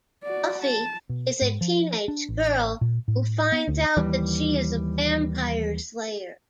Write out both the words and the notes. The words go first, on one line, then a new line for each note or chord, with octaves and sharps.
Buffy is a teenage girl who finds out that she is a vampire slayer.
F#4 D5
A5
B2
G#2
F3
D4
A1
A#2
A2
B3
D2
D#2 E3 G3